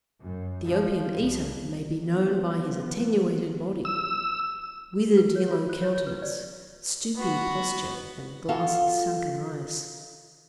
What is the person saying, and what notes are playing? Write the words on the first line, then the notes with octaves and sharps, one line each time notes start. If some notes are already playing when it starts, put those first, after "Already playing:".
The opium-eater may be known by his attenuated body, withered yellow countenance, stooping posture, and glassy, sunken eyes.
F#2
F3
C2
F3 B3
E6
B4
C#5
F4
C5
C#5
C#5
B4
D5
B3 F#4
F4 F#4 A4